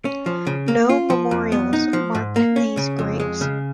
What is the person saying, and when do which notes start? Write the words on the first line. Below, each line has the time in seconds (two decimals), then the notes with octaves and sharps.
No memorials mark these graves.
0.05 C#4
0.26 F3
0.47 C#3
0.68 A#3
0.89 F4
1.10 F3
1.31 F2
1.52 B3
1.73 D#4
1.93 F3
2.15 G#2
2.36 A#3
2.56 C#4
2.77 C#3
2.99 F2
3.20 G#3
3.41 C#3